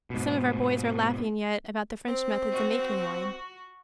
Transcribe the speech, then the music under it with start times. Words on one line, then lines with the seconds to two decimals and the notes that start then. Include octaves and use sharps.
Some of our boys are laughing yet about the French methods of making wine.
0.10 G#2 B2
2.08 C4
2.52 F#4